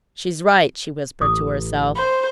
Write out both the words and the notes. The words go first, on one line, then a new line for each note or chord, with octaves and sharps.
"She's right," she whispered to herself.
A1 D6 D#6
C5